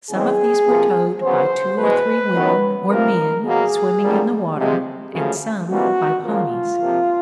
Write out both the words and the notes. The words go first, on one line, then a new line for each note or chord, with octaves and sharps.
Some of these were towed by two or three women or men swimming in the water and some by ponies.
E2 C#3 E3 G#3 C4 G#4
C3 F3 A#3
C#3 F#3 B3 C5
E2 B2 G#3 B4
F#2 D#3 F#3 B3
C3 F3 A#3 A#4
B2 F#3 A#3 G#4
F2 D3 G3 A#3
C3 F3 G#3
F#2 C#3 F3 A3
F2 C3 E3 G3 A#3 F#4
C#3 F3 A#3 F4
C3 F3 A#3